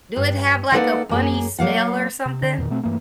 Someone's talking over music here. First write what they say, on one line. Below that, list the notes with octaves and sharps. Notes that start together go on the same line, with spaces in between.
do it have, like, a funny smell or something?
G2
A#3 D#4 A4 B4 D5 F#5
F#2 A#3 G#4
F#3 A#3 F5 F#5
C3
D3
E2 G2 A#2 D#3
B2 A3 C4
G2 E3 A3 A#3